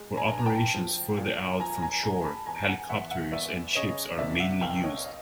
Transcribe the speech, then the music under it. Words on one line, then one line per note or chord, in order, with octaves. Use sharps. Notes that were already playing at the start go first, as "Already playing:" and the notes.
For operations further out from shore helicopters and ships are mainly used.
Already playing: G#3
G#5 A#5
G2
A#5
G5 A5
F3
A#2
F3 G#5 A#5
G#5 A#5
G#3 G#5 A#5
A5 B5
E2 G#5 A#5
F#5 G#5
E2 E5 F#5
E5 F#5
E2 D5 E5
C#3 C#5 D#5
C3 D5 E5
E5 F#5
C2 F5 G5
C#5 D#5
D#5 F5